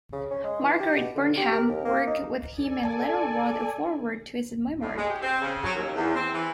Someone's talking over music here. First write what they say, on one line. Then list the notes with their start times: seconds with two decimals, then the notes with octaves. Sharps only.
Margaret Burnham worked with him and later wrote a foreword to his memoir.
0.13 C#3
0.31 C#4
0.44 G#3
0.61 E3
0.80 G4
0.95 B2
1.15 D3
1.37 G4
1.52 A#4
1.69 D#2
1.85 A#3
2.07 D#4
2.50 A4 D5 G#5
2.85 A5
4.80 A2
4.96 G#3
5.08 G4
5.22 C4
5.41 C#3
5.63 F#3
5.75 D#2
5.95 E2
6.14 C4
6.34 E3